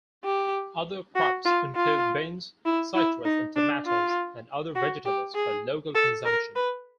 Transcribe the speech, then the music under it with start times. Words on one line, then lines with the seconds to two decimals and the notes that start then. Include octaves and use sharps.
Other crops include beans, citrus and tomatoes, and other vegetables for local consumption.
0.25 G4
1.15 F#4
1.45 F4
1.75 F4
2.66 E4
2.95 E4
3.25 D#4
3.56 D4
3.85 F4
4.75 F#4
5.05 G4
5.35 G#4
5.95 A4
6.25 A#4
6.56 B4